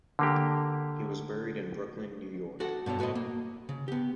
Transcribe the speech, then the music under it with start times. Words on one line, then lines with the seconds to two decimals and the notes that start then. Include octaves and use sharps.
He was buried in Brooklyn, New York.
0.19 D3 A#3 G4
2.60 F#4 A4 F#5
2.86 G2 B2 A4 C#5
2.99 A2 F#4 B4 C5 D#5
3.15 A#3
3.69 C#3
3.88 B3 G4